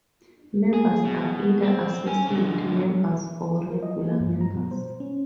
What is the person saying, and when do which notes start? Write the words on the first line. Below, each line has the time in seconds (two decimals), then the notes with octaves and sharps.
Members are either associate members or regular members.
0.74 G#4
1.05 B2
1.62 C4
2.07 C#4 G#5
2.26 B2 D3
3.70 A#4
3.83 D#5
4.05 A#3
4.20 G2
4.41 A#5
4.55 B2
4.71 C5
5.00 C#4